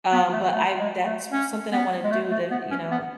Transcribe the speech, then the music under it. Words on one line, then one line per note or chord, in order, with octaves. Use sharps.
um, but I that's s something I wanna do to, you know
B3
A3
A3
G#3
A3
C#4
B3
G#3
A3
A3
B3
C#4
B3